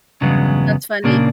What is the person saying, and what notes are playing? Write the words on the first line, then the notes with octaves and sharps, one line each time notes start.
That's funny.
E2 G2 C#3 F#3 G#3 B3
A#2 C#3 A#3 D4